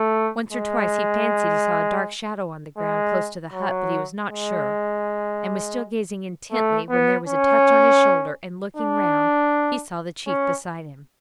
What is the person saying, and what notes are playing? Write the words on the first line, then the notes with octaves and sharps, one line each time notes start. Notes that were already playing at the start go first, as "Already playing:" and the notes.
Once or twice he fancied he saw a dark shadow on the ground close to the hut, but he was not sure, and was still gazing intently when there was a touch on his shoulder, and, looking round, he saw the chief beside him.
Already playing: A3
G#3
G#3
F#3
G#3
A3
B3
C#4
D4
C#4